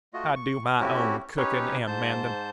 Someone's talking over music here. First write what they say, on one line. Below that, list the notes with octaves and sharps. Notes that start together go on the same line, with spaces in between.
I do my own cooking and mending.
A3 F4 F#4 D#5
C#6
A3 C4 C#4 E4 F#4 G4
C#4 D#4 G4 B4 C#5
G#2 C5 A5 G6